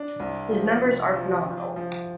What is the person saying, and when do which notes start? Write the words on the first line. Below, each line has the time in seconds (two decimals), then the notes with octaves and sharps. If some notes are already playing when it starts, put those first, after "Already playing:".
His numbers are phenomenal.
Already playing: D4
0.20 C2
0.51 F3
0.82 C3
1.14 F3
1.45 F3
1.76 F3